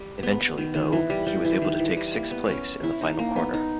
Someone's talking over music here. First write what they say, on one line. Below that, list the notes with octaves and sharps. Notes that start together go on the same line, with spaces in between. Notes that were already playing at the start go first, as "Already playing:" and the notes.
Eventually, though, he was able to take sixth place in the final corner.
Already playing: G3
B3
B3
D#3
D#3
E3
G3
G3
E3
D#3
E3
G3
A#3
B3
C#4
E4
D#4
A#3
B3
D#4